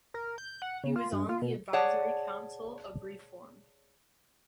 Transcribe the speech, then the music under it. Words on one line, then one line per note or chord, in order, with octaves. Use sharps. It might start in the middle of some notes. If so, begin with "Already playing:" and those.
He was on the Advisory Council of Reform.
A#4
G6
F#5
C#3
F4
G2
F4
B2
G#4 C#5 D5 F#5 A5